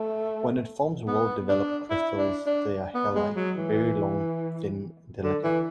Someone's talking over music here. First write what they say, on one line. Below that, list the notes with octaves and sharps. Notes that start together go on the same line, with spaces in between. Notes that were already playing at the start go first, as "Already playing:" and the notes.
When it forms well developed crystals they are hairlike; very long, thin, and delicate.
Already playing: A3
B3
D4
E4
D4
D4
B3
G#3
F#3
E3
D3
E3